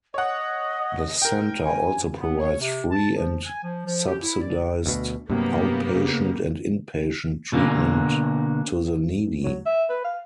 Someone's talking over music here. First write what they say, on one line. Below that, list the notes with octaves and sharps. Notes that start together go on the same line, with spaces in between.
The centre also provides free and subsidised out-patient and in-patient treatment to the needy.
C#5 D#5 F#5
A#4 G5
G#5
B3
C#5
C3
A5
F3
G#5
F3
F3
G4
E4
D5
D2 B2
G2 C3 F#3 A#3 B3 G4
C#3
B2 D3 A#3
F#3
E5
B4
F5